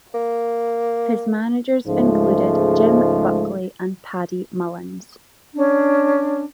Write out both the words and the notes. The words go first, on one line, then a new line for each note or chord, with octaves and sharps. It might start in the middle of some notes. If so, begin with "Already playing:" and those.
His managers included Jim Buckley and Paddy Mullins.
A#3
C#2 G#2 F3 G#3 A3
C#4 D4